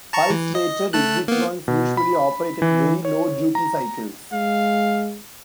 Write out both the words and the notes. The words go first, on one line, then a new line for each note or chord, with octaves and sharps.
Pulse rated ignitrons usually operate at very low duty cycles.
A5 A#5 C#6
E3
D#5
A3 A5 F#6
A#3 B3
B2
B5
E3
C#5
A#5
G#3 F5